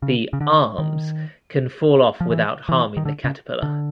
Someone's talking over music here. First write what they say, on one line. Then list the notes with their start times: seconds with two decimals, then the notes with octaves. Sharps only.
The "arms" can fall off without harming the caterpillar.
0.02 C#3
0.33 C#3
0.40 D3
0.78 D#3
2.20 F3
2.30 E3
2.69 E3
2.97 D#3
3.05 D3
3.24 C#3
3.63 D3